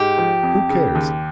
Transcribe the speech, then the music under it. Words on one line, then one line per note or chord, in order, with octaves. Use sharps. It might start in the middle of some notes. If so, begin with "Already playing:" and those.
Who cares?
Already playing: G#2 G4
F3
F2
C#3
D#2